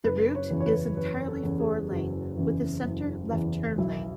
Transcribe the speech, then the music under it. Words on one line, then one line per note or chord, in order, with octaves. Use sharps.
The route is entirely four lane, with a center left-turn lane.
F#1 B4
C#5
E2 C#3 E3
C#5
B4
F#1 B4
A4
E2 C#3 E3
G#4
F#1 F#4
E2 C#3 E3
F#1
E2 C#3 E3
B1 E4